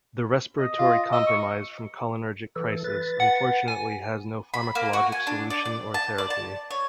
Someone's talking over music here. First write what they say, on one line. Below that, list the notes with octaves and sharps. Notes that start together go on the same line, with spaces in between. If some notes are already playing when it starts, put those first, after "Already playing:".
The respiratory compromise from cholinergic crisis unfortunately has no pharmacologic solution or therapy.
D#5
F4
D#5 E6
C#6
E3 A4
B4 A6
F#5
G#5
B5
A#3
F#4
G#5
D4
D5
D5
A5
D5
A5
C#5